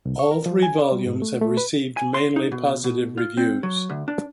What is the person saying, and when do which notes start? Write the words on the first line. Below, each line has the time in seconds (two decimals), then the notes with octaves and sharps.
All three volumes have received mainly positive reviews.
0.05 C2
0.19 C#6
0.31 A#4
0.46 F3
0.63 G#5
0.78 D5
0.92 G3
1.06 G#2
1.22 A3
1.42 A3
1.57 B4
1.97 G#5
2.14 C6
2.36 D#4
2.52 B2
2.84 B2
3.18 F4
3.37 C4
3.63 F#3
3.90 D2
4.08 D4